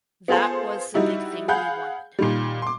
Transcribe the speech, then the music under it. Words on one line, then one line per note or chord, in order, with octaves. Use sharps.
That was the big thing we wanted.
B3 F4 G#4 A4 C5
G3 D#4 E4 F#4
G#4 F5 F#5 B5 G6
A#2 D#3 G3
C6 D6